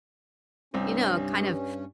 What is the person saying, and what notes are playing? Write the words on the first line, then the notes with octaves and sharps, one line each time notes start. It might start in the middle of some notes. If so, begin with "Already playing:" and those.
you know, kind of,
C2 G2 C4 C#4